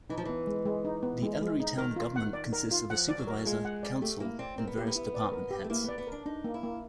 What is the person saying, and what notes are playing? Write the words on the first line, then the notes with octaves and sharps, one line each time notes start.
The Ellery town government consists of a supervisor, council, and various department heads.
E3 D#4
F3
E3 B3
G#3
G#3
D#4
B3
G#3
G#3
D#4
D#3 A#4
F4
F#5
D5
A#4
F4
F3 F#5
D5
F#3
A#4
G#3 F4
F#5
D5
A3 G4
A#3 E4
C4 D5
C4 A#4
B3
A#3 G4
B3
E4
D5
A#4
G4
A3
A#3 E4
B3 D5
B3
D4 A#4
D4 D#4
A#3
E4
A#3